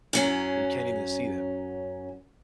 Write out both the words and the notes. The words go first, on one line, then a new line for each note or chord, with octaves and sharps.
that you can't even see them.
F#2 F#3 C#4